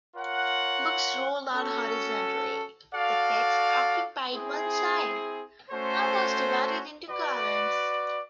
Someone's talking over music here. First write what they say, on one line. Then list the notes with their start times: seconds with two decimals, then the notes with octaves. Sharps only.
Books rolled out horizontally; the text occupied one side, and was divided into columns.
0.15 F4 A#4 C#5 F#5
1.54 C#4 F#4 A4
2.93 F#4 A4 D5 F5
4.31 C4 E4 G#4
5.70 A3 C#4 F#4 A4 C5
7.10 F#4 B4 D5